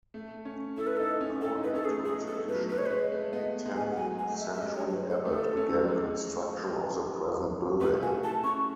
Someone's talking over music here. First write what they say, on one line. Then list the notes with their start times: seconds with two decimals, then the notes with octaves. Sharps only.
According to a tradition, a tenth-century abbot began construction of the present building.
0.14 A3
0.45 C#4
0.77 E4 A4
0.87 B4
0.97 D#4 A4
1.21 C#4
1.41 A4
1.50 E4
1.58 D#4
1.64 B4
1.74 C#4 A4
1.85 G#4
1.89 A3
2.05 G#3 G#4
2.22 B3
2.27 A4
2.38 A3
2.49 B4
2.53 F#3
2.70 G#3 B4
2.78 C#5
2.86 G#3 B4
3.12 A3
3.33 B3 D#5
3.66 G#3
3.76 G#5
3.91 F#5
3.97 F#3 G#5
4.14 G#3 G#5
4.30 A3
4.36 D#5
4.40 E5
4.45 G#3
4.53 E5
4.61 G#3 D#5
4.72 D#5
4.77 C#5
4.82 F#3
4.88 C#5
4.94 B4
5.04 G#3
5.10 A4
5.25 A3 A4
5.57 C#4
5.73 F#3
5.88 G#3
7.81 A3 B4
8.02 F#4 G#5
8.23 E4 A5
8.44 C#4 C#6